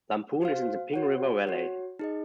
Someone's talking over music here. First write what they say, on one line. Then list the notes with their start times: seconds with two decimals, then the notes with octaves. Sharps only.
Lamphun is in the Ping River valley.
0.42 F#4 C5 F5
0.94 F#4 C#5 F#5
1.47 F#4 C#5 F#5
1.99 D#4 G#4 D#5